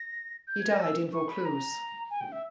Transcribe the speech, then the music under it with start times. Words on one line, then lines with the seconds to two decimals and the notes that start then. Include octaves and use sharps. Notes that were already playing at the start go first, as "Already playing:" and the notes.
He died in Vaucluse.
Already playing: A#6
0.47 G6
0.59 G#6
0.70 A#6
0.80 E6
1.13 C#6
1.29 B5
1.45 A#5
2.10 G#5
2.21 G5
2.32 E5